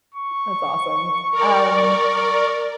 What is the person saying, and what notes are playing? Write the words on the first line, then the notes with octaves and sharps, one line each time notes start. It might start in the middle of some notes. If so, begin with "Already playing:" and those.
that's awesome, um,
C#6
A#4 D5